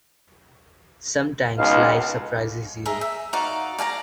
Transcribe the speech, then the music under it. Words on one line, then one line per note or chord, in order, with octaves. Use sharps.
Sometimes life surprises you.
C#2 B2 D#4 F5
G#4 A#4 D#5 E5
E5
D#4 F#4 D5 F5
D5 F5 G#5 A#5